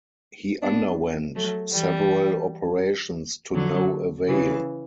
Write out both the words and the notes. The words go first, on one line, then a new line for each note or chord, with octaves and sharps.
He underwent several operations to no avail.
B3 D4
F#3 A3
E3 G3
D3 F#3
C#3 E3